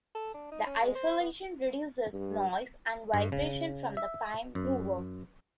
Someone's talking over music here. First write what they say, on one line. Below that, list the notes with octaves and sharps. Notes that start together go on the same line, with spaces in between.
The isolation reduces noise and vibration from the prime mover.
A4
D4
D#4
C#4
G#3
C5
B3
G2
G2
C#3
E5
F#2